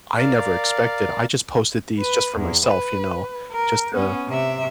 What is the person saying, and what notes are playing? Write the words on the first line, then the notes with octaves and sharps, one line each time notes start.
I never expected. I just posted these just for myself, you know, just to
A#4 D5 F5
B4
E2
B4
A#4
B3 C#4
C3 E5